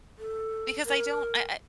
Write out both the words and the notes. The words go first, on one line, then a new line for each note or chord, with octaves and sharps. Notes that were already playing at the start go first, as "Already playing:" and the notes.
because I don't I
A4
A#4